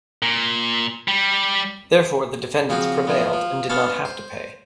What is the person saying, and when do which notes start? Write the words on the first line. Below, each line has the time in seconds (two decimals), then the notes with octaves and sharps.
Therefore, the defendants prevailed, and did not have to pay.
0.22 A#2
1.08 G3
2.69 C#3 F3 C4 F#4 G#4
3.07 E3 F3 B3
3.33 F3
3.69 B3 C#4 D4 C#5 F5 A5
4.05 C5